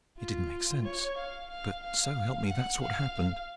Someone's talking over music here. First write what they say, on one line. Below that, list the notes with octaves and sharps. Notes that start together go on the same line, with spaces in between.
It didn't make sense, but so help me, that's what happened.
F4
C#5
F5
F5
F5
F#5
F5